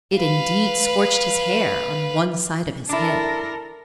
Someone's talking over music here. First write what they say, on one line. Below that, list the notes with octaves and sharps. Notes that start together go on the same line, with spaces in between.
It, indeed, scorched his hair on one side of his head.
B4 F5
D4 E4 A4 A#4